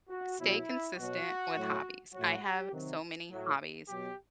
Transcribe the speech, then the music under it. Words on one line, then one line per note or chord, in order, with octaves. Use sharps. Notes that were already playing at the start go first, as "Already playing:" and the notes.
stay consistent with hobbies, I have so many hobbies.
F#4
B2 F#3 E4
B2 F#3 F#4
A2 F#3
A2 F#3 F#4
G4
C3 D#3 F#3
A2 F#3
B2 F#3 G4